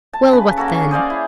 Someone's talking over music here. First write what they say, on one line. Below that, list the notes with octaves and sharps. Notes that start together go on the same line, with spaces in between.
Well, what then?
A5
C#3 B4
A#3 F#4 A4
C#4
G#4 C5 D5 F5
E4